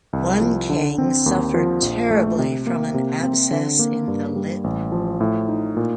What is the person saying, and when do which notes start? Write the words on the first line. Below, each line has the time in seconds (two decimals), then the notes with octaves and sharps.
One king suffered terribly from an abscess in the lip.
0.13 C2
0.41 F3
0.70 D3
0.98 C4
1.26 D#2
1.54 F3
1.82 A#1
2.11 A3
2.39 C3
2.67 A#3
2.94 C3
3.23 C4
3.51 D3
3.79 A#3
4.08 G2
4.36 G3
4.64 A1
4.92 F3
5.21 A2
5.48 D#4
5.77 A#2